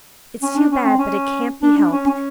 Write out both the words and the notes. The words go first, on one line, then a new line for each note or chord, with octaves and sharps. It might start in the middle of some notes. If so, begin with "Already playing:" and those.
It's too bad, but it can't be helped.
C#4
D4
C#4
C4
C#4
D4
D4
C#4
C#4